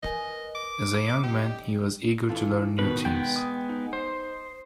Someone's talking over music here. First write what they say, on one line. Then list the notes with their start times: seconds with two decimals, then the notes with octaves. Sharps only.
As a young man he was eager to learn new things.
0.03 A#4 B4 D#5 G#5
0.55 D6
1.23 D#4 G4 D5
2.29 E3 F4 A4
2.79 B2 D#3 B4
3.05 G#3 B3 G5
3.36 D#6
3.69 D#4
3.93 C5